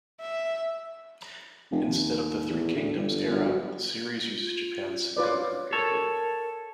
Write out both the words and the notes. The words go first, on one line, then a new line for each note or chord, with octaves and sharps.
Instead of the Three Kingdoms era, the series uses Japan's Sengoku period.
E5
F1
D#2
E2
D2
G1
G1
F#3
F4
F4 B4 C#5 D5
A4 A#4 C#5